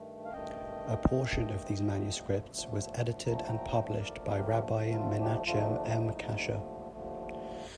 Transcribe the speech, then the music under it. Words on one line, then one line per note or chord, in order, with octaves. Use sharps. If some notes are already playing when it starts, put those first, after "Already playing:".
A portion of these manuscripts was edited and published by Rabbi Menachem M. Kasher.
Already playing: G2 D#3 A3
F5
G2 D#3 A3 D#5 G5
G2 D#3 A3
D#2 D3 F3 A3
D#2 D3 F3 A3
D#2 D3 F3 A3 A#5
A5
G5 A#5
D#2 D3 F3 A3 A#4 D5
A4
G4 A#4
D#2 D3 F3 A3
A#4
F4 A4
D#4 G4
D#2 D3 F3 A3 F4
D#4
D4
D#4
D#2 D3 F3 A3
D#2 D3 F3 A3